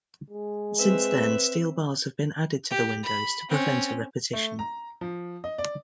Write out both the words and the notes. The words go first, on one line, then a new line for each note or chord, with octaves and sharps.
Since then steel bars have been added to the windows to prevent a repetition.
G#3
C4 B4 E5
G4
B5
C4 C#4
A3
A#5
F3
D#5
D5